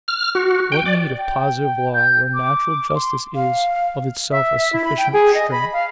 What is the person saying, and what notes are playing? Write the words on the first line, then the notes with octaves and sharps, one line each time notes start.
What need of positive law where natural justice is, of itself, a sufficient restraint?
F6
F#4
G5
D5
G5
G6
D6
C6
F5
E5
E5
E4
B5
G5
G#4
D#5
B5
F5